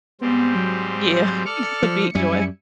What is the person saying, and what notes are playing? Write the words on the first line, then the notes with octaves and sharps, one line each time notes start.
Yeah, just, a big joy.
G#2 G3 B3 C4
F#3
F#3
A4 D5 F6 C#7
F3
F#2 G3 E4 G#5